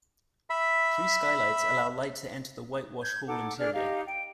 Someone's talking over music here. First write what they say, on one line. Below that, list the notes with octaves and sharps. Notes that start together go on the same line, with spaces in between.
Three skylights allow light to enter the white wash hall interior.
E5 B5
G6 G#6
D#4 A4 F#5 D6
D4 G#4 D5 F6
D#4 G4 D#5 F5
G5